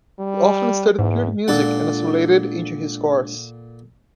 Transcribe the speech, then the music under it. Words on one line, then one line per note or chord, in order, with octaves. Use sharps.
He often studied period music and assimilated it into his scores.
G3
E2 G#2
A#2 G#3 D4 F4 A4 F#5